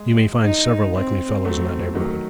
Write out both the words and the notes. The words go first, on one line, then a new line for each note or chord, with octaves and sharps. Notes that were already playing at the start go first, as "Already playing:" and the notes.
You may find several likely fellows in that neighbourhood.'
Already playing: G#3
D#4
C4
F#3 A3 C4
D#3 F#3 A3